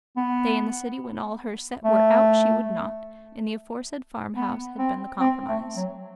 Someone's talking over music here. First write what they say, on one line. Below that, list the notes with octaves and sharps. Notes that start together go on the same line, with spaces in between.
Stay in the city when all her set were out she would not, and the aforesaid farmhouse had been the compromise.
B3
A3
B3
C4
C4
A3
F#3